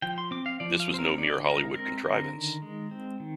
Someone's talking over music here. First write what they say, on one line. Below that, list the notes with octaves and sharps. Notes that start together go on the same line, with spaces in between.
This was no mere Hollywood contrivance.
F3 G5
C6
C4 D6
F5
F3 D5
F5
C4 C5
A#4
D3 D5
G#3 A#4
C4 A#4
D3 A#4
D#3
G#3
C4
D#3